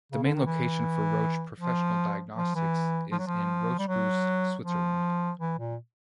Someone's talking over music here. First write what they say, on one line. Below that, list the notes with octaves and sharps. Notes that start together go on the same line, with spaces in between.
The main location for Roche Professional Diagnostics is in Rotkreuz, Switzerland.
C#3
D3
D#3
E3
F3
F3
E3
F3
F#3
F3
G3
F#3
F3
E3
A#2